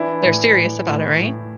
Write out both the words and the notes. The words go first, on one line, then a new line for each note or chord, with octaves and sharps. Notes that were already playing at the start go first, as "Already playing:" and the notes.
They're serious about it, right?
Already playing: E3 D4 E4
A2
A2
A2
A2